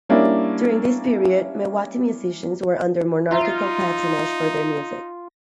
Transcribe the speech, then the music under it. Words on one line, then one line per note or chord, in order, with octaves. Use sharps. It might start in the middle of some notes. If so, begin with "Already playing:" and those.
During this period, Mewati musicians were under monarchical patronage for their music.
G3 A#3 C#4 D4 E4
D#4 F4 E5 A#5 C6